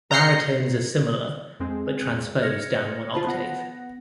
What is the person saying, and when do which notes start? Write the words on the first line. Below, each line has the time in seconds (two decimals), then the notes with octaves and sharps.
Baritones are similar, but transpose down one octave.
0.11 A#5 G6 A#6 C7 C#7
1.60 F2 G#3 C4 G#4
2.42 F6 G#6 A#6 C#7
3.14 F4 C5 A5 B5
3.27 B3 F#5 A#6